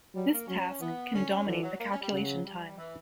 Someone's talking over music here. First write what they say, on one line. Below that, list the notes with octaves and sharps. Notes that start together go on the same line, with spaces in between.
This task can dominate the calculation time.
F#3 G3
A#3
F#3 C#4
E3 B3
D3 C#4
D3 E3
F#3
A#3
C#4
G3
C#3 F#3
G3
E3